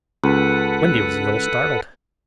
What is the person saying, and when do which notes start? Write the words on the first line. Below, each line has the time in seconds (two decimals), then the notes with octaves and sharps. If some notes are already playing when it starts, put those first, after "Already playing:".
Wendy was a little startled.
0.24 C#2 A4 B4 F#5